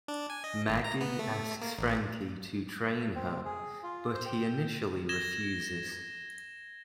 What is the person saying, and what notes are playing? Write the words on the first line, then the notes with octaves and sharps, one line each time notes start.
Maggie asks Frankie to train her, but he initially refuses.
D4
G#5
D#5
G#1
A#5
B3
A3
A#3
A1
C4
G#4
F4
C5
G5
G#6 A#6 E7 G7